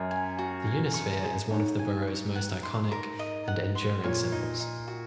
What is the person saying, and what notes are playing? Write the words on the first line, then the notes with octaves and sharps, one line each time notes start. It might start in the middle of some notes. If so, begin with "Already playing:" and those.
The Unisphere is one of the borough's most iconic and enduring symbols.
Already playing: F#2 C#5
G#5
F#4
G#5
C#6
G#4
G#2 C#5
G#5
C#6
F#5
C6
A#4
D#5
F#5
C6
A#2 C#5
D#4
D#4
F#4